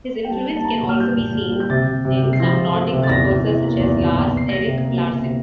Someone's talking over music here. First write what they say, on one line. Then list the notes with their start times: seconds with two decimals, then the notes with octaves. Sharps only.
His influence can also be seen in some Nordic composers, such as Lars-Erik Larsson.
0.25 G5
0.30 G3 A5
0.48 A#3
0.56 A5
0.65 A#3 A#5
0.82 A#2
0.89 F6
0.99 G3 G6
1.17 A#2
1.35 A#2
1.52 G3
1.60 G6
1.70 C3 A6
1.87 C3
2.05 C3
2.22 C3
2.33 C7
2.40 F3 A#6
2.57 C3
2.75 A3
2.92 C3
3.03 A6
3.09 E2 A#6
3.27 E2
3.45 E3
3.62 A#3
3.79 E2
3.96 E2
4.14 E2
4.31 E2
4.37 C7
4.49 A#3 A#6
4.67 C3
4.84 A#3
5.02 C3
5.19 C3